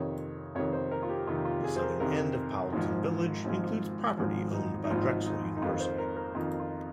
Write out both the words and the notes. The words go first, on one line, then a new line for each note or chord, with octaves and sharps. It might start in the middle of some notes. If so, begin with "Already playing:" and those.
The southern end of Powelton Village includes property owned by Drexel University.
Already playing: F2 C3 D#3 C#5
F2 C3 D#3 C#5
C5
A#4
F4
G4
F2 C3 D#3 F4
F4
G#4
C5
A#4
F2 C3 D#3 A#4
G#1 G#2 F3
G#1 G#2 F3
G#1 G#2 F3
D#4
D#4
G#1 G#2 F3 F4
D#4
D#4
F2 D#3 F4
C5
A#4
A#4
F2 D#3 F4
F4